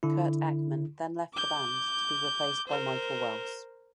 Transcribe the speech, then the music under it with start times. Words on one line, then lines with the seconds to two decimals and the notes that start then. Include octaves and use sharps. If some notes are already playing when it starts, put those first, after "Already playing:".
Curt Eckman then left the band, to be replaced by Michael Wells.
0.03 D3 E4
1.33 D6 G6
2.67 A#4 C5